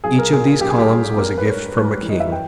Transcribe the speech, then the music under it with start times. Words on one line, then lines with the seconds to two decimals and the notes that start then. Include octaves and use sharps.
Each of these columns was a gift from a king.
0.04 B1 G#4
0.19 A#4
0.32 A#2 G#4
0.46 G#4
0.60 B1 G4
0.70 G#4
0.78 G4
0.89 G3 G#4
1.18 G1 A#4
1.38 B4
1.46 G2 C#5
1.75 G3
2.03 E3
2.09 D#5
2.20 E5
2.32 G5